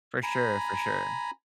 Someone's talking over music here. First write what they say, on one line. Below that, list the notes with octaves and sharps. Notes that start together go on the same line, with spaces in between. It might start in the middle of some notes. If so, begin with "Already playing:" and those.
For sure, for sure.
G#5 A#5 B5